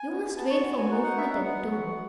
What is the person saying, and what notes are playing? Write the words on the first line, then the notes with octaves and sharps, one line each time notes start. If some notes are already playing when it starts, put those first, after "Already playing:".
You must wait for movement and tone.
Already playing: G#5
B3
B3 A5
C#6
F#4
G#5
D#4 F#5
F#5
B3 E5
F#5
B3 F#5
F#4